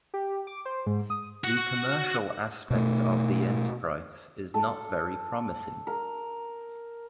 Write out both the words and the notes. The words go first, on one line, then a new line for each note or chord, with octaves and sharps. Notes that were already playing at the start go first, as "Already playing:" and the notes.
The commercial aspect of the enterprise is not very promising.
G4
D6
C5
G#2
D#6
F#4 F#5
B2 A3
A4
A#4